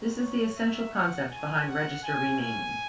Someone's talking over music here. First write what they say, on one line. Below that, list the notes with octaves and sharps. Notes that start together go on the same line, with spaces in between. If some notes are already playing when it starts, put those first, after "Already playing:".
This is the essential concept behind register renaming.
Already playing: G#3 C4 D#4 F#4
C#5
G#3 D#4 F#4 E5
F#5
G#3 C4 D#4 F#4 G#5
F#5
G#3 C#4 E4 G#5
G#5